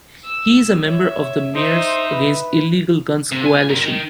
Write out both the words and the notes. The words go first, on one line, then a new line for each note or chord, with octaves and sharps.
He is a member of the Mayors Against Illegal Guns Coalition.
E6
C#5 E5
D#4 C5 E5
B4
C3
G#5
G2 A#4
D#3